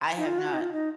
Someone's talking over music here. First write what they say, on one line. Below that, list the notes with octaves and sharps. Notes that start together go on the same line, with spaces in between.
I have not.
D#4
F4
F#4
D#4
F4
D#4